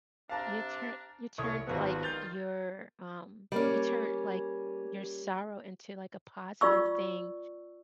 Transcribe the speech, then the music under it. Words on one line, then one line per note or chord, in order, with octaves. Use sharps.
You turn you turned, like, your, um you turn, like, your sorrow into, like, a positive thing,
C3 D4 F5 A5 A#5
C2 F2 A2 C#5 C#6 D#6
G#1 F3 G3 B3 F4 F#4
G2 D#3 F4 G6 A6 F7
G3 A#3 C#4
F4 D5 C#6 E6